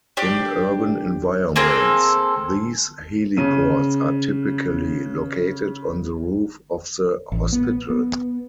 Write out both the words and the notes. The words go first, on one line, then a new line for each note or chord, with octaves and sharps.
In urban environments, these heliports are typically located on the roof of the hospital.
D4 G4
A#3 C4 G#4 A4
C#3 D#7
A1
B3
B3